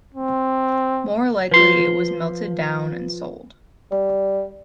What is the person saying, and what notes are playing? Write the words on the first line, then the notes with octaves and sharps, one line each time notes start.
More likely it was melted down and sold.
C4
F3 F4 B4 C6
G3